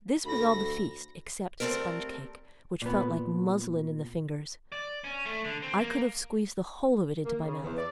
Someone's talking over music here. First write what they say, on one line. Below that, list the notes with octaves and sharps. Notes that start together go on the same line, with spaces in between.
This was all the feast except sponge cake, which felt like muslin in the fingers; I could have squeezed the whole of it into my mouth.
D2 A4 B5 A#6
G3 A3 A#3 C4 A4 A#4
A#2 B3
D5
C#4
A3
D3
C4
A#3
A#3
C#3
E2
D5